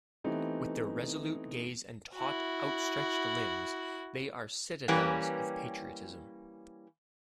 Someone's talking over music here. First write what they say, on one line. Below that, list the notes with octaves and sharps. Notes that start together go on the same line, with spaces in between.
With their resolute gaze and taut, outstretched limbs, they are citadels of patriotism.
E3 A3 B3 C4 D#4 G4
E4 F#4
E3 G3 A#3 C#4 G4 B4